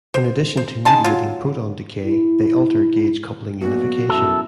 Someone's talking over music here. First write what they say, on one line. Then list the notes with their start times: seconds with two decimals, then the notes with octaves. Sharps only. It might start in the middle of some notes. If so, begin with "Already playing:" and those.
In addition to mediating proton decay, they alter gauge coupling unification.
0.14 C5
0.57 C5
0.85 D#4 G#4 A5 C6
1.04 F#3 F4
2.03 E4
3.61 B1 A#2 B3 F#4
4.09 F#2 B2 E4 A4